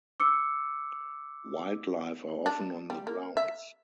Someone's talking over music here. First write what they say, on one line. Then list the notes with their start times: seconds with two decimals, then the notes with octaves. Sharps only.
Wildlife are often on the grounds.
0.20 D6 E6 C#7
2.46 D4
2.90 G3
3.07 A#3
3.37 E5